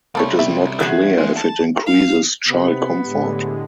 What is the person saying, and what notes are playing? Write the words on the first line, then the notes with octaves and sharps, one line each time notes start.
It is not clear if it increases child comfort.
C3 G3 A#3 A4 C#5
E5
E2 F#4 G#4
G#3
A5
F5
C3 B3
A2 D3 G#3 G4